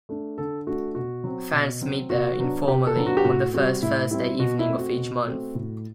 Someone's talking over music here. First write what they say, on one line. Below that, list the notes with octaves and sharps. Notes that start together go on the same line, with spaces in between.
Fans meet there, informally, on the first Thursday evening of each month.
A3 D4
D3 A4
A3 D4 F#4
B2 F#4
F#3 C4
B2
F#3 C4
C3 F#4
F#3 B3 D4
C3 G4
A4
F#3 B3 D4
F#4
G4
A2 F#4
G3 C4 F#4
A2 E4
G3 C4 E4
B2 F#4
E4
A3 C4
F#4
B2
A3 C4
A2